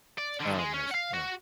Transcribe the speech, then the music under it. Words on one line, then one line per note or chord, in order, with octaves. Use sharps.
Oh, nice. Yeah.
D5
D3 D#3
G#3
C#4
F5 F#5
F#4